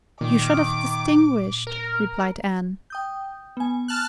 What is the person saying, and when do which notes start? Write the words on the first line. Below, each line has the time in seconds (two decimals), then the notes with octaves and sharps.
"You should have distinguished," replied Anne.
0.21 A#2 D#3 D6
1.67 A#4
2.90 G5 D#6 G6
3.57 B3 G#5
3.88 A5 F6 F#6